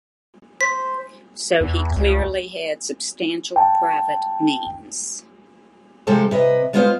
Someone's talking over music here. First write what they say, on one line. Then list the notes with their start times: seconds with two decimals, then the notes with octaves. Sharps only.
So he clearly had substantial private means.
0.61 C5 B6
1.61 E2
1.96 C#2
3.56 G5 A5
6.07 C3 F3 G#3 A4 C5
6.31 C3 B4 D#5
6.73 G#3 B3 E4 F4 C5 F5